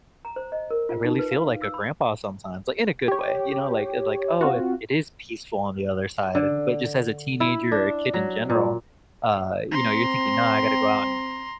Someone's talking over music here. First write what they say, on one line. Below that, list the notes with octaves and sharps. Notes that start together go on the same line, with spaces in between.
I really feel like a grandpa sometimes, like, in a good way, you know, like it like, "Oh, it it is peaceful on the other side." But just as a teenager or a kid in general, uh, you know, you're thinking, "No, I gotta go out and
A#5
C5
D#5
A#4
F4
D#4
B4
F5
F5
E6
B5
G4 C#5
C4 F4 F#4
D3
E4
D4
F#3
A#2
C4 A#5 C6